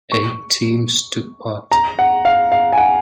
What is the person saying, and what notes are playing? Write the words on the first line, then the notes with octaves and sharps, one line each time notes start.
Eight teams took part.
C#6
A#5
F#5
F5
F5
G#5
F#5